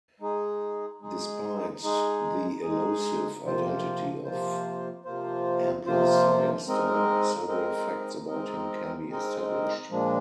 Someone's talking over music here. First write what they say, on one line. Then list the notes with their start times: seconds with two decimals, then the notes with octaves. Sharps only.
Despite the elusive identity of Ambrosiaster, several facts about him can be established.
0.20 G#3 D#4 G#4
1.01 G#3 D#4 G#4
1.82 G#3 D#4 G#4
2.62 G#3 D#4 G#4
3.43 C3 F3 A#3 F4 C5
4.24 C3 F3 A#3 F4 C5
5.04 C3 F3 A#3 F4 C5
5.86 C3 F3 A#3 F4 C5
6.67 G#3 C4 D#4 A#4 D#5
7.47 G#3 C4 D#4 A#4 D#5
8.27 G#3 C4 D#4 A#4 D#5
9.08 G#3 C4 D#4 A#4 D#5
9.89 A#2 F3 G#3 D4